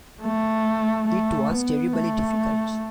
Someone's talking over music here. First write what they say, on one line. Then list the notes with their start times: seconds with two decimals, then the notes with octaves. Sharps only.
It was terribly difficult.
0.22 A3
1.07 A3
1.50 B3
1.93 A3